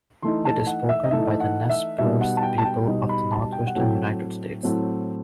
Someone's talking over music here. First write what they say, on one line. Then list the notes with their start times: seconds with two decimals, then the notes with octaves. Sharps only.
It is spoken by the Nez Perce people of the Northwestern United States.
0.22 E3 A3 D#4 C6
0.45 A5
0.67 F#5
0.89 E5
1.04 D#5
1.11 E3 A3 D#4 E5
1.40 F#5
1.70 E5
1.98 B2 G3 D#4 E5
2.21 F#5
2.37 A5
2.43 G5
2.58 A5
2.65 G5
2.87 B2 G3 D#4
3.09 B5
3.31 A5
3.52 G5
3.67 F#5
3.75 A2 F#3 A3 C4 G5
4.63 A2 F#3 A3 C4